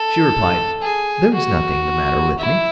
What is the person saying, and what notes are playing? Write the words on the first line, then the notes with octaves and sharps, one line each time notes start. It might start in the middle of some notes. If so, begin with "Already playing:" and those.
She replied: "There is nothing the matter with me."
Already playing: A4
G#4
F#4
E4